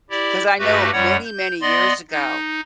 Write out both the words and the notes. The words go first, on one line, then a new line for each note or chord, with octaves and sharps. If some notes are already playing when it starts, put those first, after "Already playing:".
'Cause I know many, many years ago,
E4 G4 D5
G2 A3 F#4 G4 B4
F#2 G3 C#5 F#5
G6
B3 D5 D#5 C6
D#4